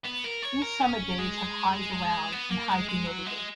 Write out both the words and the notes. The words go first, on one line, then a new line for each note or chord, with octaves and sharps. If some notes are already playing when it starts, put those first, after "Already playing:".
These summer days have highs around and high humidity.
B3
A#4
C#5
A#4
C#4
G#3
B3
A#3
G#3
G#3
F#3
G#3